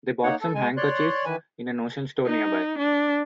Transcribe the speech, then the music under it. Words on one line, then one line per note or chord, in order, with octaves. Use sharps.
They bought some handkerchiefs in a notion store near by.
A#3 D#4 C#5 F#5
A4
G#3 G#5
C#5 D5 C6 F#6
D#3 E3 B4 G#5
D#4
D4